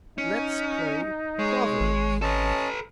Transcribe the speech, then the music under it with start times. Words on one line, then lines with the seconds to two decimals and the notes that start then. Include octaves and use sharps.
"Let's play proverbs."
0.18 C#4 D#4
1.39 G#3 C#5
1.80 G#1
2.22 C#4 A4 B4 D#5 A5